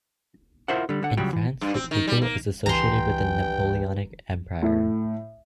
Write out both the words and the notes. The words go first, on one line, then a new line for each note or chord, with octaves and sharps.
In France, the eagle is associated with the Napoleonic empire.
E4 F4 A#4 C5 E5 F#5
D3 G3
D3 F#5
C#2 C#3 F#3 G3 G5
E3
G2
C4
D#3
G3
A#3
C#2 G2 E3 G5 G#5 A#5 C6
A2